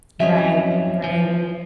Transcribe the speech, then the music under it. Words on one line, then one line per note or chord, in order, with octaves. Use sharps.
Right, right.
F2 F#3 C#4 C#5 D#5 E5
F3